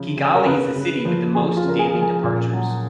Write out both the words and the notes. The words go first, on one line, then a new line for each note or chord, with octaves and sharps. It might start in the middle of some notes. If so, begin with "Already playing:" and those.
Kigali is the city with the most daily departures.
Already playing: C#3 F3
C#3
A#4
C#3 B4
C#3
F3
F3 G#4
F4
C#3 A#4
G#4
F3
G#4
A#2
F#3